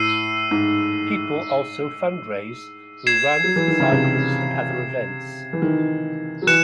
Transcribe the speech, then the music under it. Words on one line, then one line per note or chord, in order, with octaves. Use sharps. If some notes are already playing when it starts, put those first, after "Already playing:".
People also fundraise through runs, cycles and other events.
Already playing: A2 E6 C7 D#7
G#2
G#6 C7 E7
F#3
E3
D#3
C#3
C3
E3
D#3
F#3
E3 F#6 C#7 E7